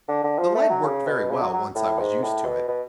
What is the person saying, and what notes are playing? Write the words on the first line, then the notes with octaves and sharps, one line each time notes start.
The leg worked very well, once I was used to it.
D3
D3
F3
A3
F#3
C#3
B2
C#3
F#3
F#3
A2
G#2
A2
B2
B2